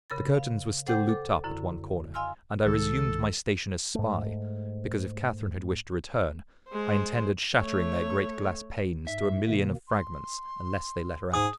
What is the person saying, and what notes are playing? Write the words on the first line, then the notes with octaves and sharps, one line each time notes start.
The curtains were still looped up at one corner, and I resumed my station as spy; because, if Catherine had wished to return, I intended shattering their great glass panes to a million of fragments, unless they let her out.
C#3 A#4 B5 A6
F5
A4 C5 F#5 G5 D6 G6
A4 D6
F#2 D3 E4
D#5 F5 G#5 C6 E6 F6
C2 D#3 G#3 A4
G#2 A3
G#3 C5
A3 C#5
G#2 E5
B2 D#3 A#3
C6
G#2 G#4 D#6